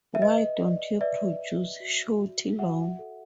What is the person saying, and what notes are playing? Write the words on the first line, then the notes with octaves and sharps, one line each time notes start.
Why don't you produce Shorty Long?
E5
B4 D#5
D5
B4 D5 E5
D5
F#4
F#4
F#4 E5 F#5
A4